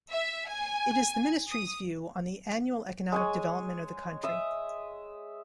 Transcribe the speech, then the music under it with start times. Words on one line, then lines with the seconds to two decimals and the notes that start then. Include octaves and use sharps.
It is the ministry's view on the annual economic development of the country.
0.12 E5
0.48 G#5
1.51 D#6
3.12 G#3 C#5 G#5
4.23 E5 D#6